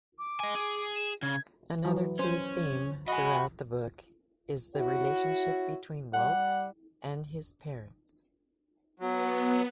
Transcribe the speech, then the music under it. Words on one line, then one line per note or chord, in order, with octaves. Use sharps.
Another key theme throughout the book is the relationship between Waltz and his parents.
D6
D#5 G#5
G#4
E7
C#3 G#6
E3 F#3
C#4 C5
F#4 D#5 G#5 B5
E4 F#4 C#5
G3 F#5
F#3 B3